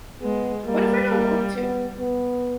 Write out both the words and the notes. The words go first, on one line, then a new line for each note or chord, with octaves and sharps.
What if I don't want to?
G#3 B3
G3 A#3
A#3
B3
B3